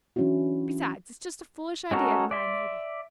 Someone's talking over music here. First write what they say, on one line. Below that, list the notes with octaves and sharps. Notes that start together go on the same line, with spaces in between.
Besides it's just a foolish idea of mine, maybe.
E3 F#3 C#4 D4 E4 F#4
G#3 C#4 F#4 A4 A#4
D5 E5 C6